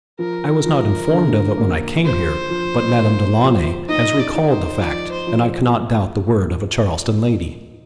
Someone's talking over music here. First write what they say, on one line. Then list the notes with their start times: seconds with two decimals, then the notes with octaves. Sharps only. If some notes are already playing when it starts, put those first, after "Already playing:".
I was not informed of it when I came here, but Madame Delaunay has recalled the fact and I cannot doubt the word of a Charleston lady.
0.19 F3 A#4
0.66 F3
1.11 D3
1.58 A#3
2.03 F3 C5
2.50 F3
2.97 A#3
3.42 F3
3.89 D#4 D#5
4.20 D5
4.35 D#4
4.50 C5
4.80 F3 D5
5.12 C5
5.27 F3